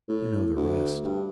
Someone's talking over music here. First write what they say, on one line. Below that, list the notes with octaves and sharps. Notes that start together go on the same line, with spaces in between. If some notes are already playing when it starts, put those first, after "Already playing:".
You know the rest.
A2
D2
G2